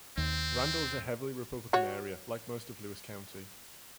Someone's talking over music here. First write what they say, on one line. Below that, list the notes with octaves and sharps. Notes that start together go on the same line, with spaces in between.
Randle is a heavily Republican area, like most of Lewis County.
D#2 C4
F#4 C#5